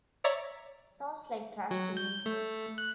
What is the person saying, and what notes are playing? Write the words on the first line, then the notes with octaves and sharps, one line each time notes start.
Sounds like trash to me!
C#5 D5 E5 A#5
F#3
G6
A3
F#6